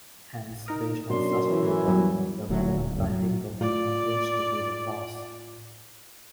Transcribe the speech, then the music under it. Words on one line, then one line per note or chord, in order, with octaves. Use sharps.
Hence based on such data, the relevant binding domain appears to be the clause.
D#4 A#4 D#6
F#2 B2 D4 C6
E3 E4
E2 F#3 G3
D#1 D2 F#3
D1
C2 F#2
F#3
A2 F4 D5